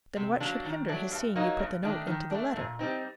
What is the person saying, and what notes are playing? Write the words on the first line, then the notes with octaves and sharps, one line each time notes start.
"Then what should hinder his seeing you put the note into the letter?"
C3
F#3 A#3 D4
D#3
F#3 A3 D4
G2
F#3 A#3 D#4
G2
D#3 A3 D4
D#3
A3 D4
A#2
G3 C4 D#4